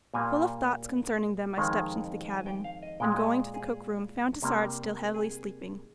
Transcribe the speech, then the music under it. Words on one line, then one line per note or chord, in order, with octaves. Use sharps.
Full of thoughts concerning them I stepped into the cabin, and, going to the cook-room, found Tassard still heavily sleeping.
A#2 G3 A#3 G#5
F2 D#3 G#3
G#5
G5
F5
D#5
A#2 G#3 G5
D#5
G#4
C3 G3 A#3
G#4